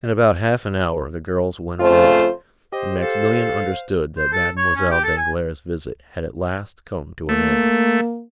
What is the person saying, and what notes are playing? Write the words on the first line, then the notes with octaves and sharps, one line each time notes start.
In about half an hour the girls went away, and Maximilian understood that Mademoiselle Danglars' visit had at last come to an end.
F2 C#3 A3 F4 C5
G4 C5 D#5
A4 F5
C5
A4
C#5
C#4
G4
A4
G#5
A3 A#3